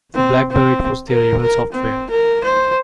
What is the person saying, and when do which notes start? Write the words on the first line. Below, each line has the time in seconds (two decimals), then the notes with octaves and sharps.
For Blackberry it was their email software.
0.15 C4
0.51 C4
1.09 A#4
1.42 A#4
1.72 C4
2.10 A#4
2.44 C5